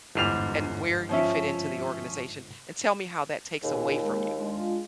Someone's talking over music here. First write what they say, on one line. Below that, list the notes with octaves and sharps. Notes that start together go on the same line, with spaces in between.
and where you fit into the organization, and tell me how that takes away from you."
G1 E2 G#2 G3 C7 F7
F3 C#4 E5
D#2 A#2 G#4
G#3 A#3
G#3 D4 F4